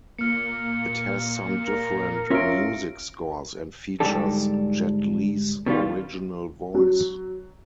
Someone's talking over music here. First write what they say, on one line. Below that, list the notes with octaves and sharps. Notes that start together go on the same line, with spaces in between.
It has some different music scores and features Jet Li's original voice.
A#2 A#3 F6 C#7
A#4
C#4 F4 E5 A#6 D7
G#2 D3 G3 G#3 D4 A4
B2 D#3 G3 F4
F#3